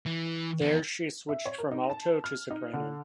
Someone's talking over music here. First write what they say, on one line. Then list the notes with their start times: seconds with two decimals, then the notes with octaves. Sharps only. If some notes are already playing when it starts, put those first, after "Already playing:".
There she switched from alto to soprano.
0.06 E3
0.61 E2
1.29 E5
1.46 C#5
1.58 A#4
1.72 D#4
1.90 A5
2.24 F6
2.51 D#4
2.73 D3